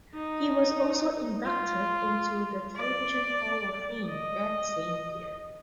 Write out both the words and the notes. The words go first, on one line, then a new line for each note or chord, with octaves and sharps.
He was also inducted into the Television Hall of Fame that same year.
D#4
F4
D5
D#5